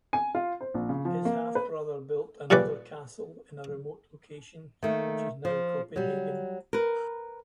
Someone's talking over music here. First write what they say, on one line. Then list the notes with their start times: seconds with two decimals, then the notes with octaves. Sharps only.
His half-brother built another castle in a remote location, which is now Copenhagen.
0.13 G#5
0.35 F4
0.61 C5
0.74 A#1
0.89 C#3
1.05 F3
1.25 A#3
1.55 B4
2.50 A#2 G3 C#4 B4 D5
4.83 D#3 A3 A#3
5.45 F3
5.96 F#3 G3
6.73 A#4 B4